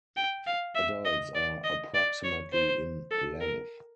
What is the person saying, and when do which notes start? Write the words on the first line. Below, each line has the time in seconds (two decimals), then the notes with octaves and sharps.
Adults are approximately in length.
0.17 G5
0.47 F5
0.75 E5
1.05 D#5
1.35 D5
1.64 D#5
1.94 D5
2.24 C#5
2.53 C5
3.11 A4
3.41 A#4